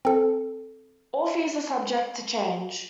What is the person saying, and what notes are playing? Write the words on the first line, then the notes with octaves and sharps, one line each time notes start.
All fees are subject to change.
C4 A4